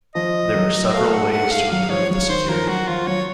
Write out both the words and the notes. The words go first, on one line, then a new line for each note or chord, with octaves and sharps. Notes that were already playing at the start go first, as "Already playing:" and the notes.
There are several ways to improve the security.
F3 D#5
F#3
A3 F5
F#5
F#5
F5
F#3 F5
F3 C#5
F#3 C#5
D#3 C5
F3 A#4
F#3 F#4
F3 F4
F#3 C#5